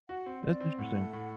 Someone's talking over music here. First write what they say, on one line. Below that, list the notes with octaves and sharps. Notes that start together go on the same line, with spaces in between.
That's interesting.
F#4 F#5
C4
C4 D5
C4
A2 F#5
A3
A2